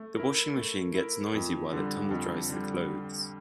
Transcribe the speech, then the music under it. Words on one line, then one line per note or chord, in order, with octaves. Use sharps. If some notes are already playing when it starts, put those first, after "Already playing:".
The washing machine gets noisy while it tumble dries the clothes.
Already playing: A3
E4 A#4
A3
E4 A#4
F2
D3 G3
F2
D3 G3